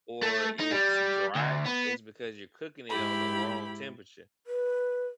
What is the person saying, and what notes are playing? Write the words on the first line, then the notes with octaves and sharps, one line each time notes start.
or it's dry, it's because you're cooking it on the wrong temperature.
A3
D#4
G3
D2
B3
G#2 E4 G4 B5
B4